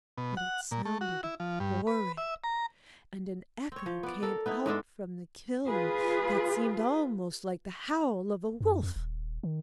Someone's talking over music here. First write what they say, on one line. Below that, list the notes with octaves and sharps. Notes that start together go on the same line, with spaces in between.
But it sounded horrid, and an echo came out from the kiln that seemed almost like the howl of a wolf.
B2
F#5
A#2
A3
F#4
E4
F3
G2
B4
E5
A#5
C4 C#5
F3
B3 D5
A4 A#4
B3 D#4 E4
G#2 G#3 D4 A4
F4 G#4 B4
F#2
F2
D#1
D#3